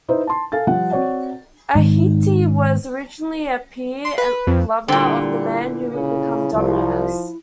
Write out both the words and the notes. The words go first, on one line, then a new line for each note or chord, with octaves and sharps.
Ahti was originally a peer and lover of the man who would become Dominus.
D#4 E4 B4 C5 D#5
A5 C6
A4 F5 G#5 A6
F3 G3 F#5
C4 F#4 C#5 D5 F#5
G#2 D#3
C6
B4
F2
A#2 D3 G3 E4
C#3 E4
C2 F3